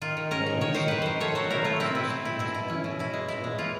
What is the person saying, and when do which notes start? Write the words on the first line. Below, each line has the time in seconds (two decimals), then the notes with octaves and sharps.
Valencians regard this recipe as authentic, as well.
0.02 D#3 F4
0.17 D#3
0.31 C#4 A#4
0.46 D#3
0.61 D#3 C#5
0.75 D#3 C5
0.88 D#3 B4
1.02 D#3 C5
1.20 A3 C#5
1.35 F#3 C5
1.50 E4 A#4
1.64 A3 F4
1.80 C4 E4
1.95 E4
2.10 C4
2.25 E4
2.39 B2 E4
2.55 E4
2.70 C#4
2.84 B2
2.99 B2 E4
3.13 G#3
3.29 E4
3.44 G#3
3.59 E3 F4